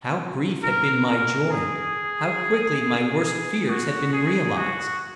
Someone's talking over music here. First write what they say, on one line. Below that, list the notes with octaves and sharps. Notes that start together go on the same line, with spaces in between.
How brief had been my joy; how quickly my worst fears had been realized.
A#4
A#4
G#4
G#4
F#4
G#4
F#4